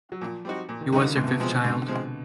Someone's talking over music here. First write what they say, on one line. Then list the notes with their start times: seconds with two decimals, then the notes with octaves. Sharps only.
He was their fifth child.
0.12 F#3
0.21 A#2 F3
0.45 G3 C4 D#4 F#4
0.69 A#2
0.81 D#3
0.92 D3 G3 C4 D#4 F#4
1.04 C#3
1.16 G#2 B2
1.24 C3
1.28 B2
1.39 C3 F3 G#3 C4
1.52 C3
1.64 G#2 D3
1.88 F3 G#3 C4